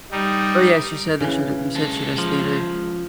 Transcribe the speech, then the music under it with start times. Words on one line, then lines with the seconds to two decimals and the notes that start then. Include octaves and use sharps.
Oh, yes. You said that she d you said she does theater.
0.12 G3 D#4
1.21 C#3 E3
1.75 G#3 A4
2.18 F3